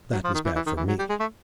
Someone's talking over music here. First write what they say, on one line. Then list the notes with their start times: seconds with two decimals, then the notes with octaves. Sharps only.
That was bad for me.
0.12 F#3
0.24 F3
0.34 D#3
0.45 E3
0.56 E3
0.67 D#3
0.77 E3
0.88 F#3
0.99 G3
1.09 G#3
1.20 A3